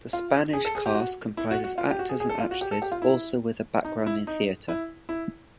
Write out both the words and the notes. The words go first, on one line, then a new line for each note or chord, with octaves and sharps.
The Spanish cast comprises actors and actresses also with a background in theater.
F4
G#4
A4
G#4
G4
F#4
E4
F#4
F#4
F4
G4
F#4
G#4
G#4
A4
F4
F#4
G4
A4
G4
F4
E4
D#4
E4
D#4
E4
E4